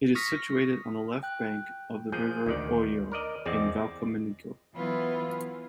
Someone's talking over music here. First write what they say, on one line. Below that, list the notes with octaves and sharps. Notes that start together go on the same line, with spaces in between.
It is situated on the left bank of the river Oglio, in Val Camonica.
C#6 D#6 F6 A#6 B6
G5 F#6
A#2 F3 G#4 G6
D2 D#3 D5
A#4 D5 D#5
E2 C4 G#4 D5 D#5 D6
E3 F#3 B3 E4 F4 B4